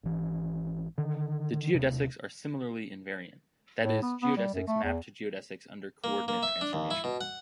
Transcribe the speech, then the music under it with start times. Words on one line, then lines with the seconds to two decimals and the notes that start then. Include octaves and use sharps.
The geodesics are similarly invariant: that is, geodesics map to geodesics under coordinate transformation.
0.03 G#1 E3
0.98 D3 D#3
1.74 D#1 C3
3.80 A2
4.03 B3
4.22 B3
4.37 G3
4.54 F#2
4.68 A3
4.84 E2
6.04 A#3
6.28 A#3
6.43 E5
6.61 D4
6.73 D#2
6.91 E4
7.04 B2
7.21 F#5